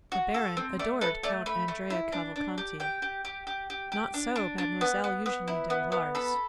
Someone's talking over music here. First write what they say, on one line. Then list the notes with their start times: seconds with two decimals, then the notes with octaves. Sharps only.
The baron adored Count Andrea Cavalcanti: not so Mademoiselle Eugenie Danglars.
0.12 F#4
0.34 A4
0.57 C4
0.79 A3 D5
1.01 A4 B4
1.23 A3 D5
1.46 A3 B5
1.68 A3
1.90 E4
2.12 D4
2.36 D4
2.58 G4
2.80 G4 G5
3.02 G4
3.25 G4
3.47 G4
3.70 G4
3.92 G4
4.14 D4
4.36 D4
4.58 D4
4.81 B3
5.04 B3
5.26 B3
5.48 E4
5.70 B3
5.92 B3
6.15 A4 B5